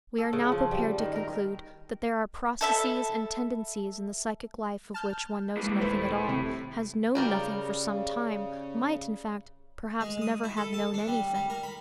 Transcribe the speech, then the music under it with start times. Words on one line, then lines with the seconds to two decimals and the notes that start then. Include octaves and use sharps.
We are now prepared to conclude that there are processes and tendencies in the psychic life of which one knows nothing at all, has known nothing for some time, might, in fact, perhaps never have known anything.
0.18 A4
0.33 C#3
0.52 F3
0.71 G3
0.99 D#3
1.16 A#4
2.61 A4 E5 B5
4.94 A5 F6 G6
5.57 E3 G#3 A#3
5.81 D#1 A3 E4 B4 C5
6.28 C3
7.15 C#3 G3 A#4 D5
10.01 G#3
10.22 D#6
10.44 E4
10.57 A4
10.73 A5
10.94 D4
11.08 G3
11.35 G3
11.50 A#4
11.64 B5